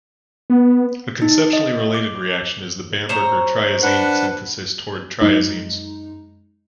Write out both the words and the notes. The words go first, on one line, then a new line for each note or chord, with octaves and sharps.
A conceptually related reaction is the Bamberger triazine synthesis towards triazines.
B3
D#4
D#5
D6
C5 C#5 A#5
D4 B4 F#5
F#2 G#3 D#4